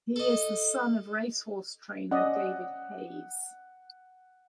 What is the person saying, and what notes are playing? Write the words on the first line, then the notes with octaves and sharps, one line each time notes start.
He is the son of racehorse trainer David Hayes.
A4 D#5
C#4 D5 D#5 F#5